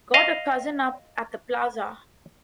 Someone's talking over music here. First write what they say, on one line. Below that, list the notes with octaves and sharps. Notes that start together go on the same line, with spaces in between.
Got a cousin up at the Plaza.
D#5 F5